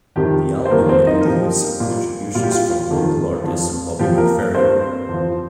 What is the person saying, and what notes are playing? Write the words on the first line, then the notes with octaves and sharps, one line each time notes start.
The album includes contributions from vocal artist Bobby McFerrin.
F2 C3 D#3 G3 G4
C5
F2 D#3 G3 A#3 A#4
C4 C5
D#4 D#5
A#4
A#2 F3 G4
A#2 G3
A#2 G3 F4
G4
F4
F2 D#3 G3
F2 F3
A#2 F3 G4
A#3 A#4
G2 G3 C4 C5
F2 F3